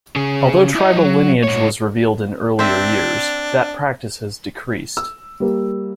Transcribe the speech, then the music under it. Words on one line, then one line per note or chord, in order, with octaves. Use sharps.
Although tribal lineage was revealed in earlier years, that practice has decreased.
C#3 G#4
E4 D#5
F#3
G#2 C#5
C4 D4 E5
E6
G3 A#3